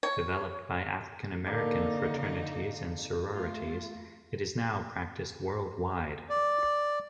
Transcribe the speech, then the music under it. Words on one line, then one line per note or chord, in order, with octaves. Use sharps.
Developed by African-American fraternities and sororities, it is now practiced worldwide.
C#5
D3 A#3 D#4 A4 D5
A3 F4
D5